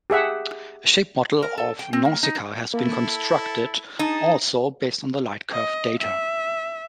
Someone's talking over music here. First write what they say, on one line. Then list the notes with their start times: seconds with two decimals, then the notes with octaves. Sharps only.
A shape model of Nausikaa has been constructed, also based on the lightcurve data.
0.10 G4 G#4 E5 F#5
1.42 A#4
1.58 A4
1.79 G5
1.93 C4
2.05 A#3
2.23 D#4
2.74 A#3 E4 A4
3.99 D#4 G#4 A5
5.52 D#5
6.00 E5